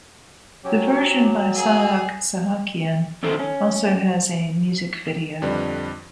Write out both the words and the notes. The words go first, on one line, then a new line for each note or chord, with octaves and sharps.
The version by Sahak Sahakyan also has a music video.
F#3 C#4 G4
A#3 G#4 A#5 E6
F2 D3 D#3 A4 C5
C#4
F2 D3 G3 B4